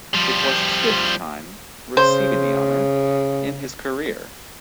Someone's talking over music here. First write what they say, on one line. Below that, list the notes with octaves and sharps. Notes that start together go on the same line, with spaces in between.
It was his fifth time receiving the honor in his career.
F3 G3
C#3 C5